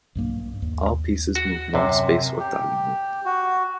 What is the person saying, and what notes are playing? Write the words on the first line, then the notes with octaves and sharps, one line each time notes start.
All pieces move one space orthogonally.
B1 G2 A#3
D#2
F#4
F#2 C3
G4
F#4